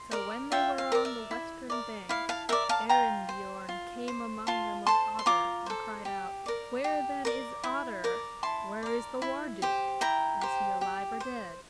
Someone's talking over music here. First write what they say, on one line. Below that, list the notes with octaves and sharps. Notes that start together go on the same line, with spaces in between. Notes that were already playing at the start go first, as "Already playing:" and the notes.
So when they were on the western bank Arinbiorn came among them of Otter, and cried out: "Where then is Otter, where is the War-duke, is he alive or dead?"
Already playing: C6
A#4 D5
F4 E5 G5
F5
A#4 D5
E5
E4
A#4 D5
E4 F5
F5 A5
A#4 D5 E5 G5
F5 A5
F4 G5 A#5
C5
F4
C5
F4 A5 C6
A4 C5 A5 C6
C6
F4 A#5 D6
A4 C5
G4
A#4 D5
G4
A#4 D5
E4
A#4 D5
E4 A5 C6
A#4 D5
E4
G4 C5
E4 G5 A#5
G4 C5
G4
C5